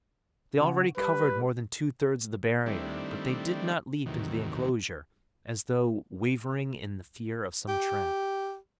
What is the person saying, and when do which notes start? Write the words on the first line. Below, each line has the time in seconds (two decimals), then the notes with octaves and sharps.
They already covered more than two-thirds of the barrier, but they did not leap into the enclosure, as though wavering in the fear of some trap.
0.58 C#3 F#4
0.97 G3 B4
2.66 D#3 G3 A3 C4 D4 E4
4.06 D#2 A2 C3 D#3 E3 F#3
7.68 G4